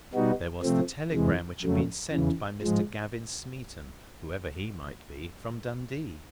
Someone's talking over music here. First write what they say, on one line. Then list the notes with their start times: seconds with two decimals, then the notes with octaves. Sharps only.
There was the telegram which had been sent by Mr. Gavin Smeaton--whoever he might be--from Dundee.
0.14 B2 G3 B3 D#4 F#4
0.63 C3 F3 A3 C4
1.12 E2 C3 E3 G#3
1.63 F2 C#3 F#3 A3
2.11 E2 C#3 E3
2.62 G#2 F3 G#3